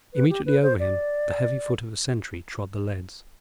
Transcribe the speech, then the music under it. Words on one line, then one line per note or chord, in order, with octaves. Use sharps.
Immediately over him the heavy foot of a sentry trod the leads.
B4
G4
B4
C5
D5